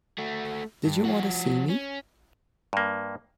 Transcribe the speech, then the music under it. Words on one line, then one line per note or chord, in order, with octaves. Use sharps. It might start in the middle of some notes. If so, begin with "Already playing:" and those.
Did you want to see me?
A3 F#4
G2
F3 F#4
C#4
G2 A#3